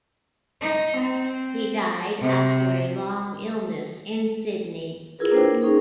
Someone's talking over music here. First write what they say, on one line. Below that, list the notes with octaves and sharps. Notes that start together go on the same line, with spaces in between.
He died after a long illness in Sydney.
D#4
C4
C3
E4 F4 G#4 A#4 B4
A#3 D4 A#4 C5 C#5 G5
C#4 D#4 G#4 A#4